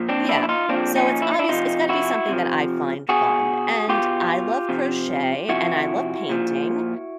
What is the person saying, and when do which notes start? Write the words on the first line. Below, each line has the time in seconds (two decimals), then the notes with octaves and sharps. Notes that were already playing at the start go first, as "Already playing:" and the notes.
Yeah, so it's obvious it's gotta be something that I find fun, and I love crochet, and I love painting,
Already playing: A#2 F3
0.09 C4 D4
0.29 D4 E4
0.43 E4
0.49 D#4 F4
0.69 A#2 F3 C4 D4
0.96 C#4 D#4
1.22 E4
1.31 D#4
1.39 D4 E4
1.49 C3 F3 D#4 F4
1.89 E4 F#4
2.29 C3 F3
3.09 B2 F#4 G#4
3.89 B2 F4 G4
4.69 C3 F3
5.49 C3 F3 E4 F#4
6.29 A#2 F3